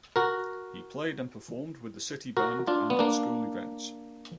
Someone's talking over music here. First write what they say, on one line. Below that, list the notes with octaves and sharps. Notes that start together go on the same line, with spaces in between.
He played and performed with the city band and at school events.
F#4 A#4
F#4 A#4
D4 F4
B3
A#3 D4